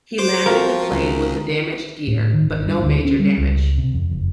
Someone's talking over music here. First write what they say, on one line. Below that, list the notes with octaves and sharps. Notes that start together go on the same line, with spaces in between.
He landed the plane with a damaged gear, but no major damage.
C5 D6 G6
F3 C4 F#4 A#4
C#2
A2
D#3
G1
G2
D2
C#4
G3
C#2
C3
F2
F#1